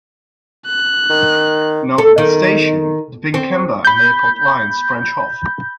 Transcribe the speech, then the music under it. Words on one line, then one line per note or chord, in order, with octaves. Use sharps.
North of the station, the Pinkenba and Airport lines branch off.
F#6
D#3
A4
D#3
C4
B5 G6